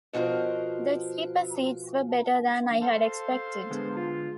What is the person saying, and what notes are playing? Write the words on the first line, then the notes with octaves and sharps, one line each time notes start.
The cheaper seats were better than I had expected.
B2 F3 F#4 A#4 C5
A4 C5 F5 C6
D3 G#3 B3
F4